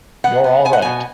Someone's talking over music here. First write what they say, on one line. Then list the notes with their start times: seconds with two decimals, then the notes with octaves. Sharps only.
You're all right.
0.24 B3 F#5
0.44 B3
0.65 B3 G#5
0.73 F#5
0.82 B2 G#5